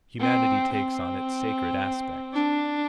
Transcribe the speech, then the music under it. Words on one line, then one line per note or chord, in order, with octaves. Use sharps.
Humanity takes on its sacred aspect.
C4
C4
D4